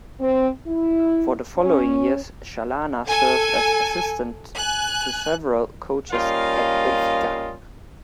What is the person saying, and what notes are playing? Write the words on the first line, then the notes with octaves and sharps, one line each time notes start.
For the following years, Chalana served as assistant to several coaches at Benfica.
C4
E4
C#4
A4 G#5
G#5 F#6
G3 A#3 C#4 F4 D#5 F5